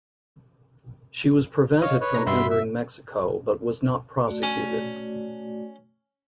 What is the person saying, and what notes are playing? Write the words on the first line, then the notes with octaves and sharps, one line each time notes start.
She was prevented from entering Mexico, but was not prosecuted.
C#5 D#5 F5
B4 C#5
B2 D4 A#5
G2 B2 F#4 E5 B5 C6
E5
A3 F#4 D5
C#4